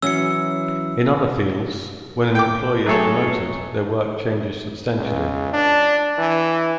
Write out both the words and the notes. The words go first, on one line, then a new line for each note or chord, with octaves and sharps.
In other fields, when an employee is promoted, their work changes substantially.
E3 F#3 C#4 E6 C#7
G5 D6
F#3 A3 G#4 A4 C#5
C#2
D4
E3